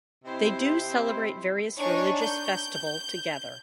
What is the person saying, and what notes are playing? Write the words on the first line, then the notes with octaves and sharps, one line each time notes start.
They do celebrate various religious festival together.
C3 C4 E4 C5 D#5 E5
D4 D#4 C#5 G#5 C#6
G6